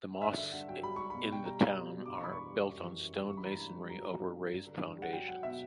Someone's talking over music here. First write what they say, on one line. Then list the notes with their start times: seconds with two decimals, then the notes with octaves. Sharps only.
The mosques in the town are built in stone masonry over raised foundations.
0.22 G2 E5
0.38 D3 E5
0.52 G2 F#5
0.69 F#3 G5
0.83 G3 B5
0.96 G3 C#6
1.10 B2 B5
1.30 B2 G5
1.45 G3 A#5
1.60 G3
1.75 B2
1.91 B2
2.06 G2 D6
2.15 C#6
2.21 E3 B5
2.32 G2 C#6
2.52 G3
2.68 F#2
2.83 E3
2.99 F#2
3.14 G3
3.29 G2 C#6
3.37 B5
3.44 E3 A#5
3.52 B5
3.60 G2
3.75 G3
3.90 F#3 A#5
4.05 F#3
4.22 G2
4.36 G2
4.52 G2
4.67 D3
4.83 G2
4.98 G3 F#5
5.13 F#3 G5
5.28 F#3 F#5
5.43 B2 E5